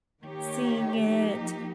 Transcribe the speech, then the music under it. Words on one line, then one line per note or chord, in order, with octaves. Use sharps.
seeing it,"
D#3 A#3 D#4 G4 C#5
F3 A#3 D#4 G4